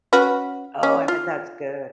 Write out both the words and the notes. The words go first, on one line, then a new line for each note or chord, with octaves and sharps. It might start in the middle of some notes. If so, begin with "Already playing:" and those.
Oh, I bet that's good.
C#4 F#4 B4
C#4
F4